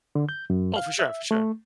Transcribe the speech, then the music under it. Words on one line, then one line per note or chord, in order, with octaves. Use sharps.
Oh, for sure, for sure.
D3
G6
F#2
F5
E5
A3